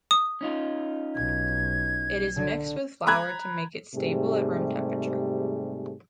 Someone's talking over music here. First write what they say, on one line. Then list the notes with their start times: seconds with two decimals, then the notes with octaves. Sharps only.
It is mixed with flour to make it stable at room temperature.
0.11 D#6
0.41 C#4 D#4 F4
1.16 B1 G#6
2.36 D3
3.07 A#5 B5 F#6 G#6
3.95 G#2 C3 G3 A3 G#4